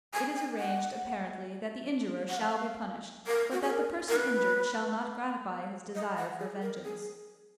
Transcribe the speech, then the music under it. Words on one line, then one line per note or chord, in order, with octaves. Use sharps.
It is arranged, apparently, that the injurer shall be punished, but that the person injured shall not gratify his desire for vengeance.
G#5
G#5
F#5
F#5
F5
A#4
F#4
G#4
A#4
A#4
B4
D#5
F#5
G#4
A#4
G#4